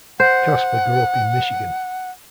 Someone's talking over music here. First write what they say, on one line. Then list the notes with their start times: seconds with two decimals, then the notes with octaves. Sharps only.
Kasper grew up in Michigan.
0.20 C5 F#5